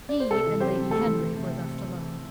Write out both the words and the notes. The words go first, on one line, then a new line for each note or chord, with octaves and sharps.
He and Lady Henry were left alone.
D5
C5
C3 A4
E3
C4 G4 C5
C4
A3 A4
E3
E3
C3